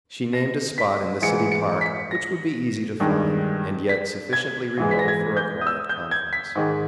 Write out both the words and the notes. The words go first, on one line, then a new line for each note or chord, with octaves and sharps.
She named a spot in the city park which would be easy to find, and yet sufficiently remote for a quiet conference.
A#6
B6
G#2 E3 G#3 C#7
C#7
B6
A#6
G2 D#3 G#3
B6
G#6
G#2 E3 G#3
B6
A#6
G#6
G6
D#6
E6
G6
G#6
B6
G#2 D#3 G#3